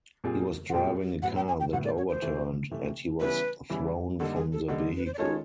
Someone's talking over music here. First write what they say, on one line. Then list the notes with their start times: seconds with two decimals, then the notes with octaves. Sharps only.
He was driving a car that overturned, and he was thrown from the vehicle.
0.24 A#2 G3 C4 F4 G#4
0.70 F#5
0.73 A#2 G3 C4 F4 G#4 G5
1.22 A2 F#3 B3 F#5
1.36 G5
1.48 G#5
1.60 G5
1.72 A2 F#3 B3 F#5
1.85 D5
1.97 C#5
2.09 C5
2.22 C3 E3 A3
2.71 C3 E3 A3
3.20 C#3 E3 G3 B3 E4 B4
3.70 C#3 E3 G3 B3 E4
4.20 D3 G3 A#3 D#4 A4
4.36 G#4
4.52 A4
4.68 D3 G3 A#3 D#4 A4
4.97 B4
5.06 C5
5.14 D5
5.18 D#3 G#3 C#4 F4 A4 C#5